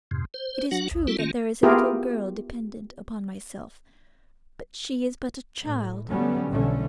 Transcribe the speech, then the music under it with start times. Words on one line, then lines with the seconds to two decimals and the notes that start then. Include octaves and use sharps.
It is true that there is a little girl dependent upon myself, but she is but a child.
0.11 F2 G#2 C3
0.34 C5
0.71 F#3 D4 F#4 F#5
0.91 A1 D#2
1.07 G3 C4 E4 F#4 A4
1.19 D#3 A3 A#3 C#4 F4
1.63 B3 E4 F4 G4 G#4 A#4
5.62 A2
6.09 D3 F#3 G3 A3 B3 C#4
6.50 B1 B2 D3 E3 A3 C#4